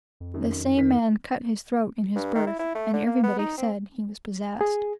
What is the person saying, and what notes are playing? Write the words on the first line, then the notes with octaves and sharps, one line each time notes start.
The same man cut his throat in his berth, and everybody said he was possessed.
F2
F#2 D#3
D#3 B6
G2
D#3
E4
E4
A3
D3
A#3
B3
D#4
C4
G#4